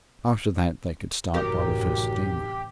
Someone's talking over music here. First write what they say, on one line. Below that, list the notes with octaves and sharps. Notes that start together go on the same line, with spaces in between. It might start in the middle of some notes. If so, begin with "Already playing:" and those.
After that they could start by the first steamer.
A1 F#2 C3 D#3 F#3 G4 A#4